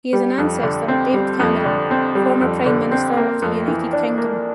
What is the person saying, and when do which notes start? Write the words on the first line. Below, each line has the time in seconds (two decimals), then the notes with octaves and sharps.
He is an ancestor of David Cameron, Former Prime Minister of the United Kingdom.
0.13 G3
0.38 F2
0.63 D3
0.88 C4
1.14 G3
1.40 F2
1.65 D3
1.91 C4
2.15 G3
2.41 F2
2.66 D3
2.91 C4
3.17 A#3
3.42 F2
3.68 E3
3.93 D4
4.18 A#3